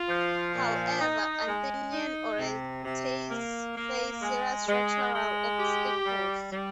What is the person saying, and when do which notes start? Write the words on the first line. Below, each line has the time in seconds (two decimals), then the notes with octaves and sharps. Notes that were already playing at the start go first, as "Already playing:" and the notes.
However, Athenian orators faced serious structural obstacles.
Already playing: F4
0.09 F3
0.54 A#2
1.01 D#4
1.47 G#3
1.92 D#4
2.38 C3
2.84 C3
3.30 A#3
3.76 A#3
4.22 G#3
4.68 G#3
5.14 G#3
5.59 G4
6.05 G3
6.52 G3